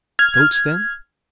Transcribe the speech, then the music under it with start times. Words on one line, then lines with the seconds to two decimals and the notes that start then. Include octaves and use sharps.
Goats, then?
0.19 F6 G#6